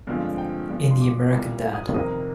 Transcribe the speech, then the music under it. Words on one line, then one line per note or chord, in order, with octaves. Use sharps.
In the American Dad!
G2 D3 F3 G#3 C4 F5
G5
G2 F3 G#3
C6
D6
C2 A#2 G3 D6
D#6
F2 C3 D#3 A#3 D#6